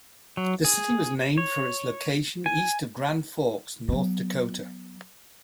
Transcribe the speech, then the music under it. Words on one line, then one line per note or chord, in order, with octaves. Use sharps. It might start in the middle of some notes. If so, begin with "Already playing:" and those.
The city was named for its location east of Grand Forks, North Dakota.
F#3
G#4
C#5
G#5
F#3 B3